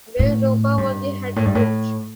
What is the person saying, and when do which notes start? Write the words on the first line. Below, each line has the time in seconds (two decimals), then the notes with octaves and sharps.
Bill Roper was the head coach.
0.19 A2
0.78 G2
1.36 A2
1.45 G2
1.55 A2